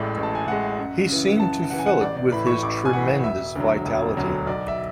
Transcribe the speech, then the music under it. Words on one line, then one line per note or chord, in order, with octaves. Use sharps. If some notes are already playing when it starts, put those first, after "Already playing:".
He seemed to fill it with his tremendous vitality.
Already playing: A1 A2 G#3 D5 E5
A1
A5
G#5
A2 G#3 F#5
F#2
C#3 E3
F#2 A5
C#3 E3 F#5
G#5
F#5
A1 D5
D5
A2 E3 B5
C#6
A1 D6
G#5
A2 E3 F#5
E1 E5
D2 D3 F#3
E1
D2 D3 F#3
B1 D5
E5